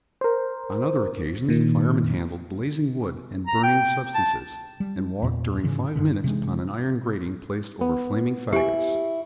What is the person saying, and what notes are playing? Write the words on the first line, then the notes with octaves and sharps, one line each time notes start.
On other occasions the fireman handled blazing wood and burning substances, and walked during five minutes upon an iron grating placed over flaming fagots.
A#4 C5
A#2 D#3
A#5
G5
A5
G3
E2 A#2
G#2 C#3 E3
G2 D3 D#3
C3 E3 F3 G#3
B3
E4 G4 G#5